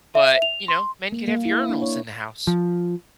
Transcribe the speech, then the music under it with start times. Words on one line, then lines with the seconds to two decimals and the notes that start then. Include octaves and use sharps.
but, you know, men could have urinals in the house.
0.15 E5
0.42 F7
0.68 C6
1.12 A#3
1.28 A#3
1.45 E4
1.69 D4
1.82 C#5
2.47 F3